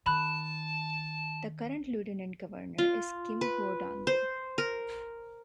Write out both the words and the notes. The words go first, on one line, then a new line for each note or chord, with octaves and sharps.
The Current Lieutenant Governor is Kim Guadagno.
D#3 A5 B5 F#6 E7
F4
B4
C5
A#4